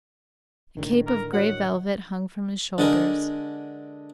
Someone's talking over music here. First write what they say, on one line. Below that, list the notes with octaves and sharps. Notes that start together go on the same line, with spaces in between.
A cape of gray velvet hung from his shoulders.
A2 D3 D#3
A#4
F#4 C#5 D#5 F#5
D3 G#3 A#4